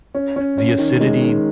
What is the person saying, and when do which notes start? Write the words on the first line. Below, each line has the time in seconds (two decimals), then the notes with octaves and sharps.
the acidity
0.15 C#4
0.36 C#4
0.58 C#4
0.78 D#3
1.01 G#3
1.22 D#3